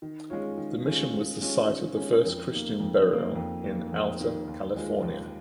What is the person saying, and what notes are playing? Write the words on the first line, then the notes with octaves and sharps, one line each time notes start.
The mission was the site of the first Christian burial in Alta California.
D#3
G#3 C#4 F4 C#5
D#3
G#3 C#4 F4 C#5
D#3
G#3 C#4 F4 C#5
D#3
G#3 C#4 F4 C#5
F2
D#3 A#3
F2
D#3 A#3
F2
D#3 A#3
F2
D#3 A#3
D#2
D#3 G#3 F4
D#2